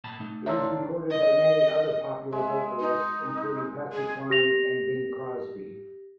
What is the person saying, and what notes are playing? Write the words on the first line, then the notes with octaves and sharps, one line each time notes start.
It was recorded by many other pop vocalists, including Patsy Cline and Bing Crosby.
A#2 A5 B5
A3 D#4
D3 D4 F4 C#5 E5 A#5 E6
D#5
G#3 E5
D#4
G#4
G4 A#6 F7